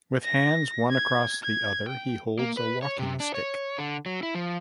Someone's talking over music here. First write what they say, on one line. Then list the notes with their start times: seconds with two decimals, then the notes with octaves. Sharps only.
With hands, one across the other, he holds a walking stick.
0.24 A#6
0.91 G#6
1.43 G#6
1.89 G5
2.39 A#3
2.57 B4
2.83 C#5
2.99 C3
3.20 D4
3.34 C#5
3.78 D3
4.06 F#3
4.23 E4
4.35 F3